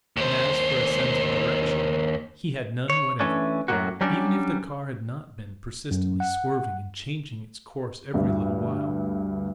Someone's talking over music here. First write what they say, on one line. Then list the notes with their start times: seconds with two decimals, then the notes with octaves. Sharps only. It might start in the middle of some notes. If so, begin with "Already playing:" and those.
And as for a sense of direction, he had none whatever--even if the car had not been persistently swerving and changing its course every little while.
0.17 D#2 C5
2.90 C#5
3.20 E3 A3 C#4 D4
3.68 F#2 A2 F3 F#3 A#3 F#4
4.01 F#3 G3 C#4 D4
5.91 F#2
6.20 F#5
8.13 D2 G2